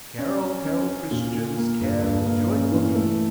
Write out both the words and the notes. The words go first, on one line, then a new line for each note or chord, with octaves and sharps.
"Carol, carol, Christians, Carol joyfully."
C#4
C#4
C#4
C#4
A#2
A#2
A#3
G2
G2
A#3
C#4
E3
A3